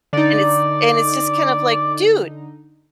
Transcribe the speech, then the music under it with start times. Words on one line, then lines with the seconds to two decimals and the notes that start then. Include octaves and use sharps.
And it's and it's just kind of like, "Dude,
0.13 D3 D#4 D5